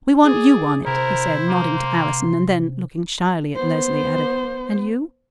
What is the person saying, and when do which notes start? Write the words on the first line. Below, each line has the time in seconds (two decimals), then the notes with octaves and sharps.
"We want you on it," he said, nodding to Allison and then, looking shyly at Leslie, added, "And you?"
0.25 G#4 D5
0.86 C3 E4 A#4 C5
1.48 A#3
1.77 C6
3.56 B3 C5